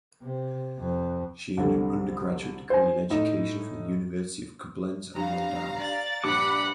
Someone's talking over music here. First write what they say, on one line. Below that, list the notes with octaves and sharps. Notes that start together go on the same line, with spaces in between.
She earned an undergraduate degree in education from the University of Koblenz and Landau.
C3
F2
C2 D3 G3
C5 G#5
A2 D#4
G2 F5 A#5
D5 A6
A#1 G2 D4 F#5 B5 D6